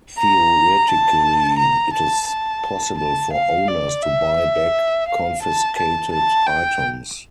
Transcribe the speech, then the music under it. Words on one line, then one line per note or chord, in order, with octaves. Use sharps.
Theoretically, it is possible for owners to buy back confiscated items.
A#5
A5
A#5
A5
A5
A5
F5
D5
E5
F5
A5
A5
A5
G5